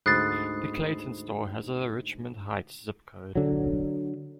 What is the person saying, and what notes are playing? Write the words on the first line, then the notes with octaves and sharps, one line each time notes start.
The Clayton store has a Richmond Heights zip code.
D2 G#2 B5 D#6 F#6 A6 C7
D3 F#3